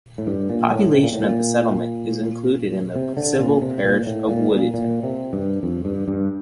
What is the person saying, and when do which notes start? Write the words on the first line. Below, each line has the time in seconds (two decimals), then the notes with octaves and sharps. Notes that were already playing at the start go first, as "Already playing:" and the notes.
The population of the settlement is included in the civil parish of Woodditton.
0.18 A2
0.27 G2
0.50 A#2
0.72 A2
0.94 C3
1.03 A#2
1.13 A2
1.23 A#2
2.96 C3
3.17 D3
3.39 A#2
3.62 C3
3.84 A#2
4.06 A2
4.28 A#2
4.51 A#2
4.74 A#2
5.03 C3
5.33 G2
5.63 F2
5.85 G2
6.08 G2